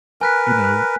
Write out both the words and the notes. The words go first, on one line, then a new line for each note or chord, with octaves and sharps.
you know,
A#4 B4 G#5 F#6 B6